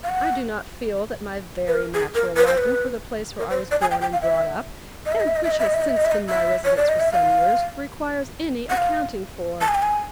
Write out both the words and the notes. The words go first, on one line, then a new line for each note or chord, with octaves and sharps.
'I do not feel that my very natural liking for the place where I was born and brought up,--and which has since been my residence for some years, requires any accounting for.'
F5
F#5
B4
A#4
G#4
A#4
B4
C5
B4
A#4
C5
D5
G#5
G5
G5
F5
E5
D#5
E5
D#5
E5
D#5
E5
D#5
E5
D#5
E5
D#5
E5
D#5
E5
D#5
E5
C#5
D5
D#5
E5
F5
F#5
F5
A5
G#5
G5
G#5